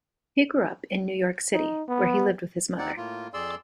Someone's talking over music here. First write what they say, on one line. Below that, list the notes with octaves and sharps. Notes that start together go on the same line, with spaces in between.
He grew up in New York City where he lived with his mother.
D#4
B3
D#2 C4 D#4 D5 F#5
A2 A#3 F4
F2 G#4 D5 C6 E6